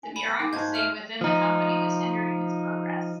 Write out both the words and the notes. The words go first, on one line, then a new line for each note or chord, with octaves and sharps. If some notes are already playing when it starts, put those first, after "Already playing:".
The bureaucracy within the company was hindering its progress.
G#5
B5
B3
A#3 D#4 G#4 D6
G#2 F4 F#4 D#5 A5 G6 G#6
E5 F6 F7
F3 D#4